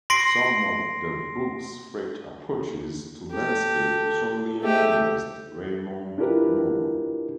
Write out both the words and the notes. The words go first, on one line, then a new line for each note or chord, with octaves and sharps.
Some of the book's fresh approaches to landscape strongly influenced Raymond Moore.
C6 A#6 C7 D7
G4 A4
G#2 A3 G4
D4 E4 F4 G4 A#4 B4